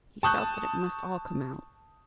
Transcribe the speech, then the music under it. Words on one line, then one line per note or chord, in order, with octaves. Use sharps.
He felt that it must all come out.
A5 C#6 D#6 F#6 G6